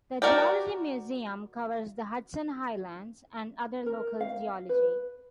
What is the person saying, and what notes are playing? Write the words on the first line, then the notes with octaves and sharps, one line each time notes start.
The Geology Museum covers the Hudson Highlands and other local geology.
F#4 A#4 D5 G5
A#4
F5
B4